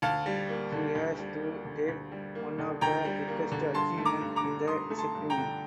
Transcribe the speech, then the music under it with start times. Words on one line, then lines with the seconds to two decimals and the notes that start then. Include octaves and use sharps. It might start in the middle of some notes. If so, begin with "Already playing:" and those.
He has to date one of the biggest achievements in the discipline.
0.02 D2 F5 A5
0.26 G3
0.49 A#3
0.72 D3
0.95 D2
1.19 G3
1.42 A#3
1.65 D3
1.88 D2
2.12 G3
2.35 A#3
2.58 D3
2.81 D2 G5 A#5
3.05 G3
3.28 A#3
3.51 D3
3.74 G2 A5 C6
3.97 A3
4.05 A#5 D6
4.21 G2
4.36 A#5 D6
4.44 D3
4.67 G2 C6 D#6
4.90 A3
4.98 A5 C6
5.15 G2
5.30 G5 A#5
5.38 D3